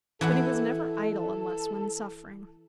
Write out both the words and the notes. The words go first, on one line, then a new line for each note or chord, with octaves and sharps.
But he was never idle unless when suffering.
E3 E4 A4 F#5